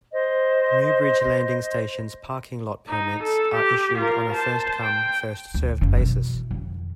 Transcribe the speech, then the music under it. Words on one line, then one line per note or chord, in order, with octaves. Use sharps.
New Bridge Landing station's parking lot permits are issued on a first-come, first-served basis.
C5 D#5
D#4
A4
G4
F4 A#4
C5 A5
G5
D2
F#1 C#3
B2 E3
F2 D#3